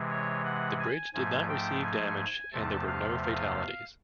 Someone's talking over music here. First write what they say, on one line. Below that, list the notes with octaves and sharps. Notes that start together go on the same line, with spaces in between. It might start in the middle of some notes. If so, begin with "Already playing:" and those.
The bridge did not receive damage and there were no fatalities.
Already playing: C3 E3 G#3
C#5
F#5
G#5
G#2 F3 A3 G#5
G5
G#5
G#5
E2 C3 F3 A3 A5
F5
F5